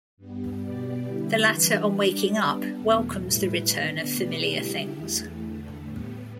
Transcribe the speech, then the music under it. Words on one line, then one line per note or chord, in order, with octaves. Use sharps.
The latter, on waking up, welcomes the return of familiar things.
G2 G3 B3
B2 B3 G4 D5
D3 G3 E4 G4
E3 G3 D4 B4
G3 D4 G4 D5
G3 B3 D4
E2 B2 A3
A2 G3 E4 B4
D3 B3 D4
B2 A3 G4 B4 D5
G3 E4 G4
E2 E3 A3
E2 D3 A3
A2 G3 B3